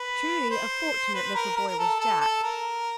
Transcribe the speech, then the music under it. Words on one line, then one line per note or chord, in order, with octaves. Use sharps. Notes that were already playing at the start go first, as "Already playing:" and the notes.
Truly a fortunate little boy was Jack!
Already playing: B4
C5
B4
A#4
A#4
A#4
A4
A4
A4
A#4